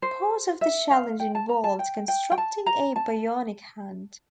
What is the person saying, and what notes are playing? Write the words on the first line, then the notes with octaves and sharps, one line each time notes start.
Part of the challenge involved constructing a bionic hand.
C5
E5
F5
G5
A5
A#5
A5
G5
G5
G5
A5
A#5
A5